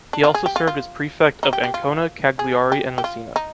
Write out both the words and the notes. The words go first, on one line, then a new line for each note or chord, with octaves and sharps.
He also served as prefect of Ancona, Cagliari, and Messina.
D4
F4
G#4
G4
F4
F4
D#4
G4
G4
F4
G#4
G4
G4
F4
D#4